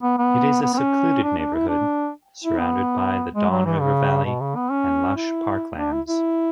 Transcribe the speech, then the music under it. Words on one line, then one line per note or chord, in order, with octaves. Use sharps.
It is a secluded neighbourhood, surrounded by the Don River Valley and lush parklands.
B3
B3
B3
B3
C#4
D4
D4
E4
D4
E4
B3
G#3
F#3
E3
C#3
B2
C#3
B3
C#4
E4
D4
E4
E4